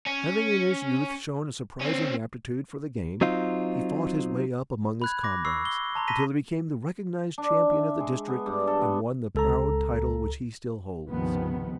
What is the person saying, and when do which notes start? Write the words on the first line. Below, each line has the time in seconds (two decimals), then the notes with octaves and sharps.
Having in his youth shown a surprising aptitude for the game, he fought his way up among his comrades, until he became the recognised champion of the district and won the proud title which he still holds.
0.06 C#4
1.81 C4 C#4
3.21 F#3 C4 D#4 F4
5.02 B5 F#6 G#6
5.24 D6 A#6
5.45 B5 C#6 E6 C7
5.65 G7
5.95 A5 A#5 C6
6.07 A5 B5 A#6 B6 D#7 G7
7.38 D4
7.70 E5
8.00 G#3
8.28 B3
8.46 G2
8.67 A4
8.81 B3
9.35 C#2 A4 A#5
11.07 C#2 G2 C3 D#3 F3 B3